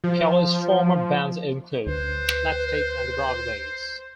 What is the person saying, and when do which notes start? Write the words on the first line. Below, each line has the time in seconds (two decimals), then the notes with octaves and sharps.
Kelly's former bands include Slapstick and The Broadways.
0.04 F3
1.87 D2 B4 C5